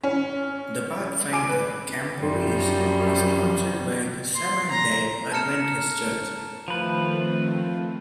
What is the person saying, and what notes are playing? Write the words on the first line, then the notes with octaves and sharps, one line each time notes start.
The Pathfinder camporees are sponsored by the Seventh-day Adventist Church.
C#4
G#5 D6 D7
B4
F#2 C3 F3 G3
C6
A#5
A5 A#5 F6 C#7 E7
D#3 F3 A3 C4 B4